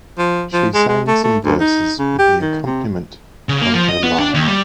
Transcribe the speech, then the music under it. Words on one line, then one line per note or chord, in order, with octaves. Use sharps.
She sang some verses with the accompaniment of her lyre.
F3
F3
G#3
G#3
A3
A3
D2
D#4
C#3
G4
D#3
C3
C#3
A#3
F3
D#5
B3
D4
D#2
G3